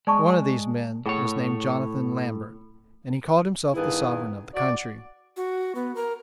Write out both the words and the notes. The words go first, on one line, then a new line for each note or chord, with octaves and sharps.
One of these men was named Jonathan Lambert, and he called himself the sovereign of the country.
G#3 D5 A5 C#6
A2 G#4 C#5 F#5 G5
G2 D#3 B3 E4 G#4
F#4 D5
F#4
B3
A#4